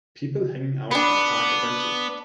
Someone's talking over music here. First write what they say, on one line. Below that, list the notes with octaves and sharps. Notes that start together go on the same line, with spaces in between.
People hanging out on park benches.
B3 D4 B4